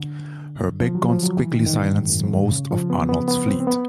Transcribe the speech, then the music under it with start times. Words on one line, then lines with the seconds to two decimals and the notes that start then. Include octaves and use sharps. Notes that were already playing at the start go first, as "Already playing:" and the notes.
Her big guns quickly silenced most of Arnold's fleet.
Already playing: D3
0.81 F3
0.95 F#3
1.09 F3
1.23 F#3
1.37 E3
1.52 D#3
1.66 D#3
1.80 A#2
1.94 G#2
2.09 F#2
2.23 G#2
2.37 A2
2.51 C#3
2.71 F3
2.90 B3
3.09 B3
3.28 B3
3.47 C4
3.60 C4
3.67 B3